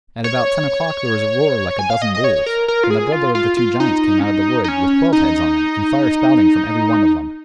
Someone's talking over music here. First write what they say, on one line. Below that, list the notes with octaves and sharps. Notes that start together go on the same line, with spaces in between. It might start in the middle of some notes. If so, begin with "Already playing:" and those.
At about ten o'clock there was a roar like a dozen bulls, and the brother of the two giants came out of the wood, with twelve heads on him, and fire spouting from every one of them.
C#5
G#5
F5
D#5
D#5
C#5
A#4
A#4
F4
G#4
F4
F4
F4
D#4
C#4
D#4
D#4
C#4
D#4